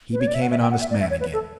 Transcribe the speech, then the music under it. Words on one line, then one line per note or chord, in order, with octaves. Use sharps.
"He became an honest man again!"
B4
C#5
D5
E5
F#5
E5
G5
F#5
E5
D5
E5
C#5
B4
A4